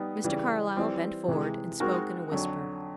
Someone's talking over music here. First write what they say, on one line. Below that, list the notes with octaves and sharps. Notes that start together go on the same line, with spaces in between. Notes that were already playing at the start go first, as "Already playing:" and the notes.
Mr. Carlyle bent forward and spoke in a whisper.
Already playing: G3 B3 D#4
C#3 E3 G3
E3 G3 C4
C3 E3 G#3
G#3 C4 D#4 F#4 A#4
F2 D3 F#3